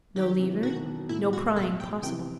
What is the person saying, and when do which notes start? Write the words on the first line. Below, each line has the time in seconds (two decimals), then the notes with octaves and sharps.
No lever; no prying possible.
0.16 D#3 F#3 G4
0.39 C3 E3
0.63 B2 D#3 F#4
0.86 B2
1.09 A2 E4
1.33 F#4
1.56 B2 A4
1.80 G5
2.02 C3 E3 G5